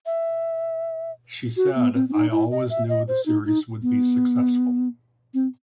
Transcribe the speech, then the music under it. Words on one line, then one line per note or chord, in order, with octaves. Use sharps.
She said, I always knew the series would be successful.
E5
F#4
B3
C4
C4
D#4
E4
D#5
E5
D#5
C5
D#4
D#4
B3
C4